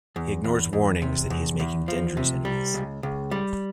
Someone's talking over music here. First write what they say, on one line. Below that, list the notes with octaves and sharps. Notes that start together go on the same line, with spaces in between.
He ignores warnings that he is making dangerous enemies.
E2
E2
E2
C3
E2
E2
F3
C3
G3
C#2
C#2
G3